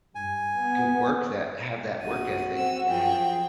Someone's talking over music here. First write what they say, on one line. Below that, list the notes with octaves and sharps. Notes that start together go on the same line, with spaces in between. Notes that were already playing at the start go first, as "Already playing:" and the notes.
could work that have that work ethic and,
G2 G#5
B3
A#1 F#4 D#7
C4 E6
F3 G#4 G5